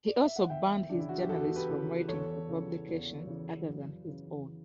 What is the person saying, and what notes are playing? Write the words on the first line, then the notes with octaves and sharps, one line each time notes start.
He also banned his journalists from writing for publications other than his own.
D5
E5
F#5
E2 E5 G5
C#3 E3 D4
E4
F#4
G4
E2 F#4 A4
G4 B4
C#3 E3
E2 A4 C#5
C#3 E3
E2
C#3 E3
F#2
C#3 E3